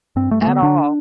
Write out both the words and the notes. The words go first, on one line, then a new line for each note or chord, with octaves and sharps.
At all.
G2 C4
G2 A3
A3
D3 B3
D3 D4